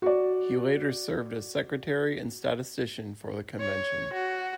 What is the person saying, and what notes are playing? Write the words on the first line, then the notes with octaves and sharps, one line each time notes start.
He later served as secretary and statistician for the Convention.
F#4 D5
C#5
F#4